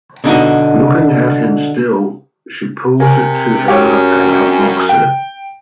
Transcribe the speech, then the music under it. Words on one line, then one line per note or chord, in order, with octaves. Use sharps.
Looking at him still, she pulls it to her and unlocks it.
B2 D3 D#4 F#4
C3 A#4 G#5
F#2 G4 C#5
G5